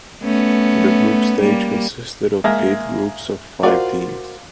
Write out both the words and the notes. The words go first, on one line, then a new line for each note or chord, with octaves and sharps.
The group stage consisted of eight groups of five teams.
A3 B3 C#4
G3 A#3
G#3 A#3 E5
F4 F#4 A#4 C5 D5